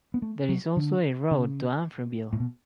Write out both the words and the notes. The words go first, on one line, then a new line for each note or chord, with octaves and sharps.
There is also a road to Amfreville.
B3
A3
F#3
D3
C#3
A2
B2